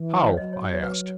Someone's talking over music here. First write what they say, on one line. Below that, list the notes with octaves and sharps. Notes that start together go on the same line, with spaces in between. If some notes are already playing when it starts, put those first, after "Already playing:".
"How?" I asked.
Already playing: E3
B4
C#5
F#3 D#5
C#5
C#5
B4